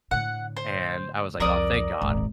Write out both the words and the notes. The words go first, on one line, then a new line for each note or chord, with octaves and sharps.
and I was like, "Aw, thank god,"
A2 D3 F#5
C5
C2 F2 A#4 D5 D#6
D#1 G#1